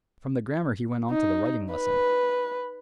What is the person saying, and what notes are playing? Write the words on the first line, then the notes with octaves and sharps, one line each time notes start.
From the grammar he went on to the writing lesson.
D#4
B4